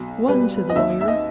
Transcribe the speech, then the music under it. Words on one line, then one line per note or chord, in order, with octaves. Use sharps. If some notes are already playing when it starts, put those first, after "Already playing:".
"One," said the lawyer.
Already playing: B1
B2 G3 B4
D#5
D#2 E5
E5
D#5